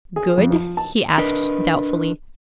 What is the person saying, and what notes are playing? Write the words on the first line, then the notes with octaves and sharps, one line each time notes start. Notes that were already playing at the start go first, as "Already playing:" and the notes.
'Good?' he asked doubtfully.
G#4
F2
F3
A5
D4 A#4 B4 D#5